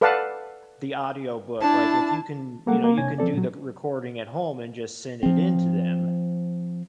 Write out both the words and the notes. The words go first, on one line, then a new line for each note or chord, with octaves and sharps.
the audio book, like, if you can, you know, you can do the recording at home and just send it into them.
A4 B4 D5 F5 F#5 A5
D4 E4 A5
G3 G#3 A#3 A4 A#4 F#5
A#3 A#4
C3 D4 C#5 G#5 G#6
F3 C4 A4 D5
A#2 F#3
F3 C4